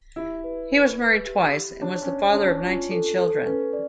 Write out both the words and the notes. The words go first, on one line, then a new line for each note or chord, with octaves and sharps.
He was married twice and was the father of nineteen children.
E4 G4
B4
B4
B4
G4
G4
D4 C#5
C#4
C#5
D4 C#5
C#4
C#4 F4
A4
A4
C#4 B4
D5